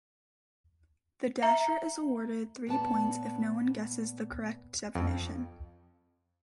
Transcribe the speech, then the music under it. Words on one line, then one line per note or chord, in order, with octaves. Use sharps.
The dasher is awarded three points if no one guesses the correct definition.
E5 A#5
A#2 B3 A5
F2